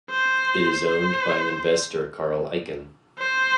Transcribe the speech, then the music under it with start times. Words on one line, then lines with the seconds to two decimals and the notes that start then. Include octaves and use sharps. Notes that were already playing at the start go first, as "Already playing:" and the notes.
It is owned by investor Carl Icahn.
0.10 C5
0.88 C5
3.18 C5